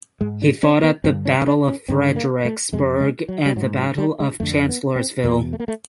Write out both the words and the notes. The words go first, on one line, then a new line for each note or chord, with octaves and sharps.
He fought at the Battle of Fredericksburg and the Battle of Chancellorsville.
G#2 G#3
D4
C#4
B3
G2 D3 C4
C#4
D4
C#4
G2 D3 C4
A#3
A3
F2 C3 G#3
G#3
F#3
G3
G#2 F#3
F#3
G3
G#3
F2 D3 A3
B3
C4
E2 B2 A#3
A3
A#3
A3